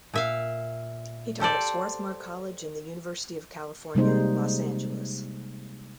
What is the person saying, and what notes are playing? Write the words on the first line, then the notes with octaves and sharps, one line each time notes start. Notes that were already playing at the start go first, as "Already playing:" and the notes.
He taught at Swarthmore College and the University of California, Los Angeles.
A#2 E5 F5
G4 A4 C5 D5
C3 G3 G#3 A#3 D#4 C5